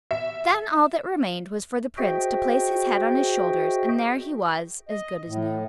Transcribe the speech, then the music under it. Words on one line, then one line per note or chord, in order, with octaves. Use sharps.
Then all that remained was for the Prince to place his head on his shoulders, and there he was--as good as new!
E5
F#4 G#4 C5 D#5 E5 G5
D#5
A2